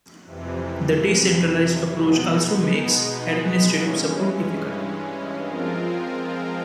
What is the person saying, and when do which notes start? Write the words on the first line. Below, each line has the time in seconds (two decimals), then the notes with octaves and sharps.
The decentralized approach also makes administrative support difficult.
0.25 F2 C3 E3
1.97 B2 G#3 B3 D#4
3.70 G2 E3 G#3 C#4
5.44 F3 G#3 C4 F4 A#4